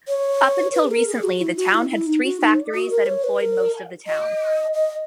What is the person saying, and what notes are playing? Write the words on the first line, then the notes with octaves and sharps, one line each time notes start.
Up until recently, the town had three factories that employed most of the town.
C#5
B4
G#4
A#4
G#4
F#4
E4
F#4
E4
E4
D#4
F#4
D#4
F#4
A#4
C#5
B4
A#4
D#5
D#5